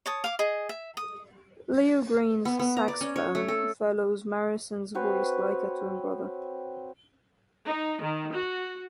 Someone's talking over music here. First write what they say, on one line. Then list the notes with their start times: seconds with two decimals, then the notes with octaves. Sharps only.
Leo Green's saxophone follows Morrison's voice like a twin brother.
0.06 C#5 A5 D#6
0.24 F5 D6
0.39 G#4 D#5
0.69 E5
0.97 D#6
2.45 B3
2.59 B3
2.77 A#5
2.88 D5
3.01 C#4
3.16 C#5
3.35 A3
3.48 A4
4.95 C4 F#4 B4 C#5
7.67 D#4
8.02 D#3
8.33 F#4